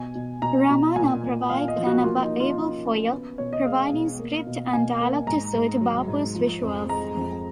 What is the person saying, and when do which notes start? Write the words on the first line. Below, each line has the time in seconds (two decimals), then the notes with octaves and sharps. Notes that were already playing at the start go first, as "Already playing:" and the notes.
Ramana provided an able foil, providing script and dialogue to suit Bapu's visuals.
Already playing: B2 G#5
0.15 B2
0.42 B2 A#5
0.70 B2
0.96 A#2 G#5
1.23 A#2
1.50 A#2 F5
1.68 D#5
1.77 F3
1.87 F#4
2.03 A#3 F4
2.22 D#4
2.30 A#3
2.40 F4
2.57 C#4
2.85 C#4
3.12 B3
3.38 B2 C#5
3.53 D#5
3.66 G#3 F5
3.93 B2
4.19 A#3
4.47 B2
4.73 B2 G#5
5.00 A#3
5.27 G#2 A#5
5.54 G#2
5.81 F#3
6.08 G#2
6.35 F3
6.63 F2
6.89 G#3 A#5
7.17 F2